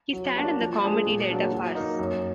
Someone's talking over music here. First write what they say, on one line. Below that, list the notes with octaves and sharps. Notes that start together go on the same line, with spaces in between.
He starred in the comedy "Delta Farce".
F#3
A#3 D4 F#4
F3
G#3 D4 G#4
A#2
F#3 A#3 D4
F#3
A#3 D#4
F#2